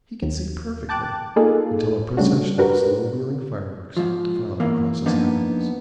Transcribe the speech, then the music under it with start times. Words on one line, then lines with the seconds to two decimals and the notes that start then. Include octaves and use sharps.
He could see perfectly, until a procession of slow-wheeling fireworks defiled across his eyeballs.
0.22 D#2
0.89 G5 A5 D6 F#6 A6
1.36 A#3 D#4 F4 G#4 A4
2.17 C#3 G3 A3 D4 F#4
2.58 D4 F#4 G4 A#4 B4
3.97 G#2 F3
4.60 G#2 E3 A#3
5.06 F3 A#3 B3 D4 D#4